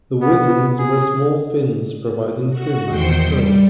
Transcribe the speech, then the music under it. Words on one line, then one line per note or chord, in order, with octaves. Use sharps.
The "wings" were small fins providing trim and control.
B3
G#4
F#4
E2 D#3 C5 G5 C6 C#7
G3